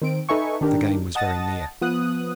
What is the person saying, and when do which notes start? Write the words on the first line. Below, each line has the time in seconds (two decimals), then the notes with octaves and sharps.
The game was very near.
0.02 D#3 C4 D7
0.29 D#4 A4 B4 E5 G#5 C#6
0.61 D#3 D4 G4 A#4
1.15 D#5 F#5 A5 D#6 A6 A#6
1.81 F3 B3 D#6 F#6